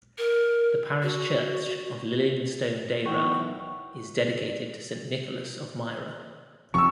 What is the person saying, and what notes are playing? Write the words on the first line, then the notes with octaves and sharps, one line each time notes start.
The parish church of Lillingstone Dayrell is dedicated to Saint Nicholas of Myra.
A#4
F#4
B1 E3 F#4 G5 C#6
F1 F2 C#6 E6